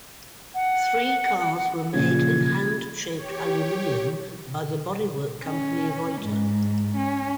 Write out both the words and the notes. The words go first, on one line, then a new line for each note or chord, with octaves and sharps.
Three cars were made in hand shaped aluminium by the bodywork company Reutter.
F#5
A#2 C#3 F3 G#6
G4 C#5
C#4
G#2
C#4